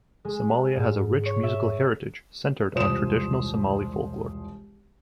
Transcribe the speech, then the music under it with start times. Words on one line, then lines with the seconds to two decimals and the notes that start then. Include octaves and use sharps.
Somalia has a rich musical heritage centered on traditional Somali folklore.
0.25 G#3
0.76 G#2
1.26 C#5
1.43 E5
2.74 E1 C2 F4 C5 D#6 E7